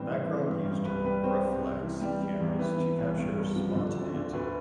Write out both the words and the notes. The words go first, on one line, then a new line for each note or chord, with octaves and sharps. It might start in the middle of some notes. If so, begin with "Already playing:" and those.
Bachrach used Graflex cameras "to capture spontaneity".
Already playing: E2 A2 G3 C4 B4 C5
E3
E3
G2
G2
C2 B4
G3 B4
G3 C4 C5
C2
C3
E3
G3
G3
E2
E3 B4
E3
C2
G2
G2
F3
D3
D2
D3
D2 B4